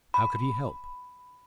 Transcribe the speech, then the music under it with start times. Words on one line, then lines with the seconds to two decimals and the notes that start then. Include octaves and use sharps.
How could he help?
0.14 B5